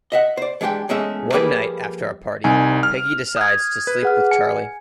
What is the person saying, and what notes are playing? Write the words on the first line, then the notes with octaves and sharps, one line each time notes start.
One night after a party, Peggy decides to sleep with Charlie.
D#5 E5 F#5
C5 D5
E3 G#3 D4 G4 G5
E2 G#3 A3 C#4 E5
F3 G3 A#3 G4 G#4 B4
C2 D#4 G#5
F6
D#6 G#6
B4
G#4 F#5 F6
G#5 C#7